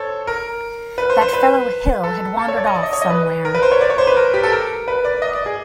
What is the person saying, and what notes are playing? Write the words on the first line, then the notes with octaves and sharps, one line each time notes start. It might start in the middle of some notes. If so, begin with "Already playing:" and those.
That fellow Hill had wandered off somewhere.
Already playing: A4 C5 C#5
A#4
B4
C5
C5
B4
A4
A4
C#5
D5
D#5
D5
D#5
C#5
D#5
B4
A#4
B4
C5
C#5
D5
C#5
C5
B4
A#4
G4
A4
A#4
B4
D5
D#5
D5
G#4